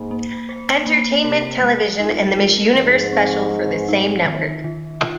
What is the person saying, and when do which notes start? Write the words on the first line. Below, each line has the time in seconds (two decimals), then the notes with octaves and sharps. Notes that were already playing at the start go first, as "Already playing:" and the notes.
Entertainment Television and the Miss Universe Special for the same network.
Already playing: G#2 A#3
0.11 A#3
0.49 C5
0.87 A#3
1.24 C3 A#4
1.62 G#3
2.00 F2 D#4
2.38 G#3
2.75 G#2 F3
3.13 C4
3.51 C4
3.88 D#4
4.26 D#3
4.64 D#3
5.02 F4